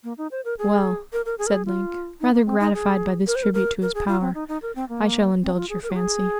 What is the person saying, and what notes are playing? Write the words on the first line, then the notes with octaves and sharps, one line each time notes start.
"Well," said Link, rather gratified by this tribute to his power, "I shall indulge your fancy."
A#3
D#4
C5
A#4
G#4
A#4
A#4
G#4
A#4
G#4
F4
D#4
A#3
C4
D#4
G#4
A#4
C5
A#4
A#4
A#4
G#4
F4
C4
D#4
D#4
A#4
C4
A#3
C4
F4
G#4
A#4
F4
G#4